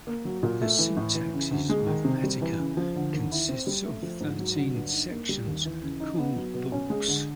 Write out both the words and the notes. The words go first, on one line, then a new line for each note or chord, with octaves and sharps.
The "Syntaxis Mathematica" consists of thirteen sections, called books.
A#3
F#3
A#2
A3
E3
A2
E3
C#3
D2
G#3
D#3
C3
G3
E3
C#3
F3
D3
D#2
E4
C4
G3
A3
F3
G#2
F#3
D3
G2
D#4
A#3
G3
D#2
E3
C#3
D#4
B3
F#3
B2
C#4
G#3
D3